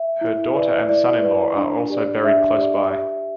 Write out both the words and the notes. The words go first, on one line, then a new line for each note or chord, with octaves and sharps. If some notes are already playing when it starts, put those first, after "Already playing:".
Her daughter and son-in-law are also buried close by.
Already playing: E5
E4
B4 D5
E4 D5
B4 D5
D4
G4 D5
D4 E5
G4 D5
G4